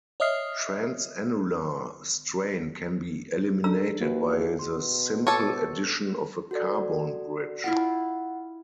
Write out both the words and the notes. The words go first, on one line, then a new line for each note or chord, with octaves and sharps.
Transannular strain can be eliminated by the simple addition of a carbon bridge.
C#5 D#5 E5 D#6 F6 C7
D4 A4 A#5 E6
D#2 A#3 F#4 B4
B2 C6
A4 C#5 A5 D6
F#4 A4 D5
E4 F4 D5 F#5